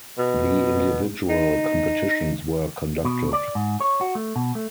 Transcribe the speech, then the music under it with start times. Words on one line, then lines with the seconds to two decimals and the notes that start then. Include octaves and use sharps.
The individual competitions were conducted.
0.18 B2
1.29 D#4
3.05 B2
3.33 D5
3.55 G#2
3.80 C#5
4.01 F#4
4.15 A3
4.36 B2
4.55 A3